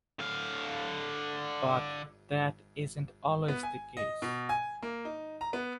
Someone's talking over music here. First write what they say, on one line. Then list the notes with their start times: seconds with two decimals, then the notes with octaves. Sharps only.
But that isn't always the case.
0.19 D3 F5
3.48 B3
3.63 G#5
3.97 D#5
4.22 B2
4.49 G#5
4.82 A#3
5.05 D#4
5.41 A#5
5.53 B3